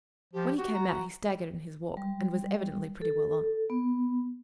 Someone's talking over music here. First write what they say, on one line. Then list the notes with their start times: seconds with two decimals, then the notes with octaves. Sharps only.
When he came out he staggered in his walk, and was evidently pretty well on.
0.33 F3 G4
0.58 F#4 G4
0.73 A#5
1.97 G3
3.02 A4
3.70 B3